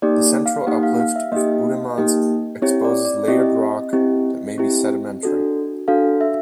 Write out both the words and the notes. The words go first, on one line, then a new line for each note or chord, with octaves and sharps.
The central uplift of Oudemans exposes layered rock that may be sedimentary.
A#3 D#4 G4 D5
F5
A#3 D#4 G4 F#5
F5
F5
E5
A#3 D#4 G4 D#5
A#3 D#4 G4
C4 E4 G4 C#5
D5
D5
C4 E4 G4 D#5
C4 E4 G4
C4 E4 G4
D4 F#4 A4
D4 F#4 A4 F5
E5